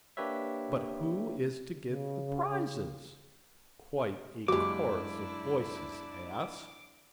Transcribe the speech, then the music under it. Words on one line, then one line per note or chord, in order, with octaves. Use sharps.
'But who is to give the prizes?' quite a chorus of voices asked.
A#3 D4 G4 B4 C#5 E5
C#3
F#1 G#3 D4 E4 F#4 G4 D6